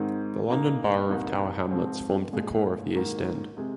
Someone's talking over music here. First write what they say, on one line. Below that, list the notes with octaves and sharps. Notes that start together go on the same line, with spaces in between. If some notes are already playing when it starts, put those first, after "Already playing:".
The London Borough of Tower Hamlets forms the core of the East End.
Already playing: G#2 D#3 C4 D#4
A#2 A#3 D#4
C2 A#2 A#3 D#4
G#2 F3 C4
A#2 F3 G#3
G#2 D#3 A#3
C3 G#3